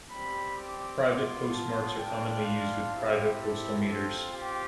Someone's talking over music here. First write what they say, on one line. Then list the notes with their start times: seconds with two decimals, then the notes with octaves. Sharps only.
Private postmarks are commonly used with private postal meters.
0.11 G3 C4 G4 B5
0.57 D6
1.05 B3 F4
1.52 A5
1.98 G3 D4 F4 G5
2.46 F5
2.93 C4 E4 G4
3.39 A4
3.86 C4 F4
4.33 G4